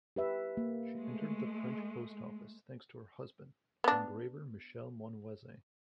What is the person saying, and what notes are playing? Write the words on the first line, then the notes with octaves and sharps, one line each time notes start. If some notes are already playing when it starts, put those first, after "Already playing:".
She entered the French post office thanks to her husband, engraver Michel Monvoisin.
G4 B4 E5
A#3
G#3 A3
B3 D4